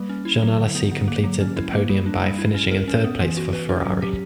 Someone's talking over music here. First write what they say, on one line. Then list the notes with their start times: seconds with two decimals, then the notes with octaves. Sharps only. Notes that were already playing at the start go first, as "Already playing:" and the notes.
Jean Alesi completed the podium by finishing in third place for Ferrari.
Already playing: G3 A#3 B4
0.09 C#4
0.25 E4
0.42 F#3
0.58 D3
0.75 B3
0.91 D3
1.08 A#3
1.24 F#3
1.40 C#4
1.56 E4
1.73 A#3
1.89 G3
2.06 D4
2.22 G3
2.38 E4
2.54 C#4
2.71 A#4
2.88 C#4
3.04 B3
3.21 E3
3.37 F#4
3.53 B4
3.69 C#4
3.86 F#3
4.02 G4